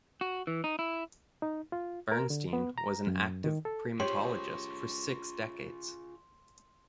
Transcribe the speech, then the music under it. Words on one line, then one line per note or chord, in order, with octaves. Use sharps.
Bernstein was an active primatologist for six decades.
F#4
E3
D#4
E4
D#4
F4
A#4
D3
B3
A#5
F#2
D#3
A4
F4 G4 G#4 C5 C#5 C6